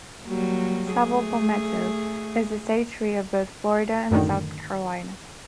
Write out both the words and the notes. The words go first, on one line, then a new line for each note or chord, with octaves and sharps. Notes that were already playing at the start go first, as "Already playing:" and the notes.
"Sabal palmetto" is the State Tree of both Florida and South Carolina.
F#3 G3 A#3
A3 G#4
F#2 A2 D3 D#3